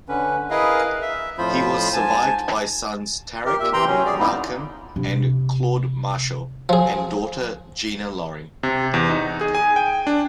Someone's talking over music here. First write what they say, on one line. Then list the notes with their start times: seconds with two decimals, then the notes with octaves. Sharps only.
He was survived by sons Tariq, Malcolm, and Claude Marshall and daughter Gina Loring.
0.09 D3 C#4 B4
0.50 E4 G#4 A#4 B4 D#5 F5
1.02 E5
1.38 F2 A2 F3 F4 C5 B5
1.93 G#2 G#5 A5
3.46 G4 A#4
3.60 A#2 E5
3.73 C3 E3 G5 A#5 C6
3.87 F#3 C#4
4.05 G#4 D5
4.19 F2 A#2 A#3 B3 D#4 E4
4.96 C3 D4
6.69 F3 G#4
8.63 C3
8.94 E2
9.09 D#4
9.41 G#4
9.55 G#5
9.76 G5
10.07 D4